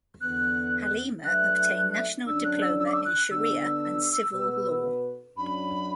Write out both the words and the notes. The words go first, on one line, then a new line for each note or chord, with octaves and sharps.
Halima obtained National Diploma in sharia and civil law.
E2 D3 B3 F#6
F#3 A3 D4 B4 E5 F#6
F#2 D3 F#3 D4 E6
F#6
E6
E6
D6
E6
F#6
D3 B3 D4 E6
B2 B3 F#4 B4
F#2 F#3 D4 B5